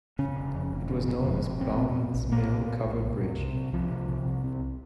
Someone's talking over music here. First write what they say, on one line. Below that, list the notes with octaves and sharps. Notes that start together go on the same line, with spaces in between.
It was known as Bowman's Mill Covered Bridge.
C#3 C#4
F1
F2
F1
C#3
F1
F2
F1
A#1 C4
A#2
A#2
A#1
A#1 A#3
A#2
A#2
A#1
C2
C3
C3
C2
C2 F3
C3
C3
C2
C3